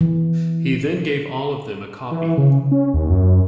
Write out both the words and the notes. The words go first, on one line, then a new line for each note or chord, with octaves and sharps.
He then gave all of them a copy.
E3
E3
C#3
C#4
D#2
F#2